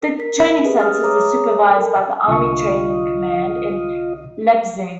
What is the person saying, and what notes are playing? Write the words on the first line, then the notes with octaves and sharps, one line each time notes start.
The training centers are supervised by the Army Training Command in Leipzig.
A#4 B6
C#4 G4 G#4 B4 D#5
E5 D#6 F6 A6
G#4 C#5 A#5 D6 D#6
A4 A#4 A5
C2 D3 F4 D#5 C#6